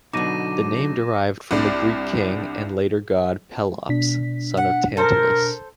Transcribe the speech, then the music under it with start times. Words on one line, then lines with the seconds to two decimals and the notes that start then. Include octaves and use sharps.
The name derived from the Greek king and later god Pelops, son of Tantalus.
0.13 B2 D3 F#3 D#4 D6 A#6 D#7
1.51 C2 D4 D5
3.89 B2 D4 B6
4.57 F#5
4.97 A4 A#4 C5